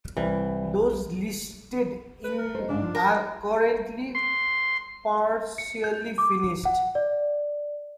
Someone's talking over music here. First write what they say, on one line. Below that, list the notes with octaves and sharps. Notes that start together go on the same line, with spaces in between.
Those listed in are currently partially finished.
C2 E3
B4
A#4
D#4 C5
G#2 C#3 D4
F3
A#4
C6
C#7
G6
D6
F#5
D5